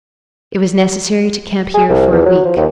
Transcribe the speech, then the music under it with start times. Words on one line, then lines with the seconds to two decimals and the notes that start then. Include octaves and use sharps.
It was necessary to camp here for a week.
1.74 G#4
1.89 C2
2.12 E2
2.25 F#3
2.45 F3
2.56 D#2